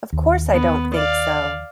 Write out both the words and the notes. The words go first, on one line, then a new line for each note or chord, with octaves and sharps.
Of course I don’t think so!
D#2
B3
D5 F5